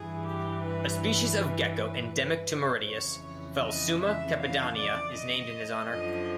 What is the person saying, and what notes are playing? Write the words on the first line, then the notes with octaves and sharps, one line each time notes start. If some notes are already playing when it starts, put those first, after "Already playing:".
A species of gecko endemic to Mauritius, "Phelsuma cepediana", is named in his honour.
Already playing: G2 E3 G#4
G4
B4
B4
B4
C5
F2 C#3 E3 C#5
D#5
E5
F5
D5
D#5
F#2 D3 F3 D#5